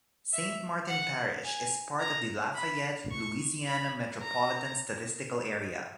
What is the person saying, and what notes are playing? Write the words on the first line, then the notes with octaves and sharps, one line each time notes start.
Saint Martin Parish is part of the Lafayette, Louisiana Metropolitan Statistical Area.
E5
F#5
G#5
A#5
B5
C#6
B5
A#5